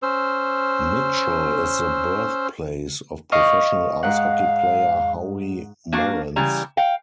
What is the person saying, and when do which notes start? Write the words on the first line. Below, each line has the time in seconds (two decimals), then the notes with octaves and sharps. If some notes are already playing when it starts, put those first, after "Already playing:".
Mitchell is the birthplace of professional ice hockey player Howie Morenz.
0.02 C#4 C5 E6
3.32 D#5 F5 C#6
4.03 G#2 F5 F#5
5.92 A#3 D4 F#4 F5
6.36 C#3 E3 G3 A#5
6.77 F5 G5